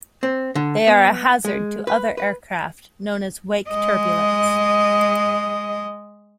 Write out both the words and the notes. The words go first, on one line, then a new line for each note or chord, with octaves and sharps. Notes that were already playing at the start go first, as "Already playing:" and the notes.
They are a hazard to other aircraft, known as wake turbulence.
C4
D3
B3
G#3
B4
B4
G#3 D#5